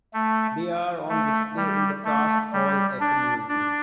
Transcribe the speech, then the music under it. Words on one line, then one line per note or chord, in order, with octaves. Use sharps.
They are on display in the Cast Hall at the museum.
A3
A3
G3
A3
G3
D4
D4